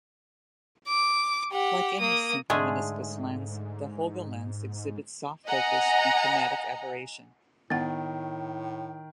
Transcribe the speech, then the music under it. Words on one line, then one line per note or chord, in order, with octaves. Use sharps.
Like any simple meniscus lens, the Holga lens exhibits soft focus and chromatic aberration.
D6
G4 F#5
A#3 D#6
G#2 D3 G#3 A3 G#4
D#5 F#5 G#5 A#5
A2 D#3 B3 F#5